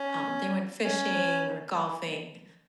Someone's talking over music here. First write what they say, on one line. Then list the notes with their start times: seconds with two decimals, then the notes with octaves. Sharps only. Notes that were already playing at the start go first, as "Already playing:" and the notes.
um, they went fishing or golfing.
Already playing: C#4
0.85 C#4